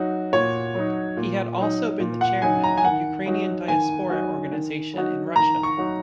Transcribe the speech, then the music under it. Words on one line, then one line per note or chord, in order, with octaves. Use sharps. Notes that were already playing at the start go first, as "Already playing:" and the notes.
He had also been the chairman of Ukrainian diaspora organisation in Russia.
Already playing: F#3 D#4 F#4
A#2 C#5
F#3 D#4
A#2
F#3 D#4
A#2
F#5
F#3 D#4 G#5
A#5
G#5
D#3 F#5
F#3 D#4 F#4
D#3 G#5
F#3 D#4 F#4
D#3
F#3 D#4 F#4
D#3 A#5
C#6
F#3 D#4 F#4